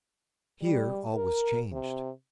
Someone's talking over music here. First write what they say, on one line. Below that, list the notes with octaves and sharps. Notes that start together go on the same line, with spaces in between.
Here all was changed.
G3
A#4
C3